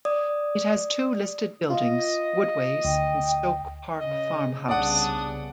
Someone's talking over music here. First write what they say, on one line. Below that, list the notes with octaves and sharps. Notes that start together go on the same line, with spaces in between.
It has two listed buildings: Woodways and Stoke Park Farm House.
D5 D#6
F4 D#5
D2 G5
C#3 D#5
C2 C#3 B3 D4 D5 F#5 D#6